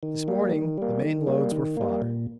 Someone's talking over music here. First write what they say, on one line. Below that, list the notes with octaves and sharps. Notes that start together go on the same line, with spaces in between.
This morning the main loads were fodder.
D#3
G3 A#3
D#3
G3 A#3
D#3
G3 A#3
D#3
G3 A#3
A#2